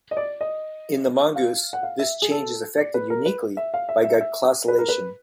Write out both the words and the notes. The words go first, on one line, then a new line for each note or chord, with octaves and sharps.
In the mongoose, this change is effected uniquely, by glycosylation.
D#5
D5
D#5
F5
F#5
F5
E5
G#4
A4
D5
B4
A#4
B4
E5
F5
E5
E5
E5
B4
A#4
B4